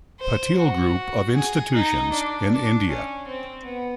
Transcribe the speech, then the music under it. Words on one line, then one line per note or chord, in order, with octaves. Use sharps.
Patil Group of Institutions in India.
C5
F#4
G#4
D#4
D4
D4
C#4
C4
B3